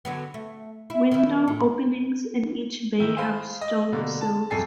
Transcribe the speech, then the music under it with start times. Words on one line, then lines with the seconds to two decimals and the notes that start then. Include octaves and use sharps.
Window openings in each bay have stone sills.
0.05 D3 F#3 B3
0.34 A3
0.90 E4
1.11 D#3 E4
1.48 A2
3.00 D#3 E4
3.16 G#4 C5 F5 B5 C6
3.61 D#5
3.92 B2 D3 G3 A#3
4.21 A5
4.51 B1 F2 A4 G#5 C7